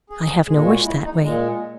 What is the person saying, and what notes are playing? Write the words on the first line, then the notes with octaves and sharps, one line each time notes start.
I have no wish that way.
G#4
A#2 G#3 G#4
F#4
E4
D#4
A#2 G#3